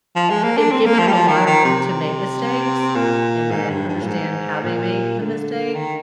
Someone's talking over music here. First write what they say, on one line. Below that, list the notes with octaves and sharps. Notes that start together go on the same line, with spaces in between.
I think giving 'em a lotta room to make mistakes, and then understand how they made the mistake,
F3
G#3
A#3
D4
C4
A#3
F3
G3
F3
D#3
D#3
C3
A#2
G#2
G2
G2
A#2
G#2
A#2
D3
D#3